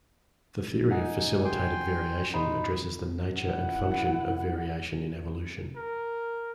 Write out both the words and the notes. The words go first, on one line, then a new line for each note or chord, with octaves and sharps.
The theory of facilitated variation addresses the nature and function of variation in evolution.
D#4 F#5 G#5
G5 G#5 C6
D#4 C5 B5
E4 F#5
A#4